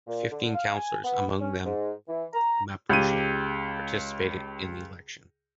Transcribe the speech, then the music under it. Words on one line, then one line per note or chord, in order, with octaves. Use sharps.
Fifteen councilors, among them Mapuche, participated in the election.
A#2
D3
F5
G#5
B3
C#4
G#2
E3
A#5
C#2 G4 D#7